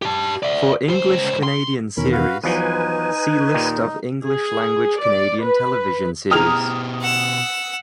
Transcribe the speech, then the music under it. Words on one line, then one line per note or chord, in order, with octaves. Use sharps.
For English Canadian series, see List of English-language Canadian television series.
G4 A5
D5 E5
C#2 C5
C6
E2 B2 D#3 C#4 A#4 B5
F#4 B4 F5
E2 F3 F#3 D#4 B4 G#5
D#2 A#2 D#3
G#4
D5
B4
B2 E4 G4 G#4 A#5 D#6 F6 F7
F#5 E6